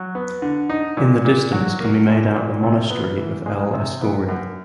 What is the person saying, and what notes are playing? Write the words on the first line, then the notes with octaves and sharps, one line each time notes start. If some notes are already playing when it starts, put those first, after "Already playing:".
In the distance can be made out the monastery of El Escorial.
Already playing: F#3
B3
D3
D#4
A#2
A#2
F#3
A#3
A#2
A#2
C3
B3
E3
G#3
C3
B3
F#2